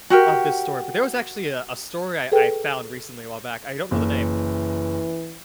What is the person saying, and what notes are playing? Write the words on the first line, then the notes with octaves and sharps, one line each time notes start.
of this story, but there was actually a a story I I found recently, a while back, I don't know the name,
F#4 G4 A#4
G#4 A4 B4 G5
F#1 E3